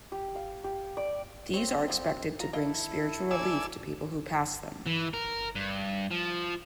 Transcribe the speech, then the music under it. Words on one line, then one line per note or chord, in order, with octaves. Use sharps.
These are expected to bring spiritual relief to people who pass them.
G4
F5
G4
D5
C4 C#5
D3 F3
F4 A#5
E4 A4 A#4 D#5 F5
D3 D5 G#5 E6
E3
A#4
G2
F3